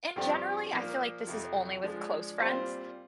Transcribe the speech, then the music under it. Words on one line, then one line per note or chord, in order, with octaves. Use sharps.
and generally, I feel like this is only with close friends,
G2 F3 C4 G4 D5
A#2 F3 A#3
F2 C3 F3
F3 G#3 D4
A#2 G3 C4 F4 C5